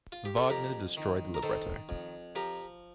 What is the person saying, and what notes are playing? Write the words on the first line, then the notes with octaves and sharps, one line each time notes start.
Wagner destroyed the libretto.
F4
G4
A4
F2 G4 A#4
D#3
A#4
D#3 A4 C5
F2
F3 G4 A#4